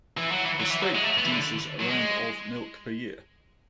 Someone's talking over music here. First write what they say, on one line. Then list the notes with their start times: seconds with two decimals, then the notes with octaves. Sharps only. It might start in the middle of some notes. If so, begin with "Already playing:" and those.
The state produces around of milk per year.
0.17 E3
0.31 F#3
0.45 E3
0.60 F#3
0.70 E3
0.82 F#3
0.95 G#3
1.04 A3
1.18 B3
1.25 E3
1.32 D3
1.81 F#3
1.89 G#3